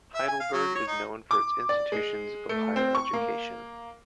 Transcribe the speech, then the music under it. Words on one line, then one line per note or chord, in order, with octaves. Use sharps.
Heidelberg is known for its institutions of higher education.
E5
G#5
F5
F#3
C#5
D#4
D6
D5
G#3
A3
C4
C#6
A#3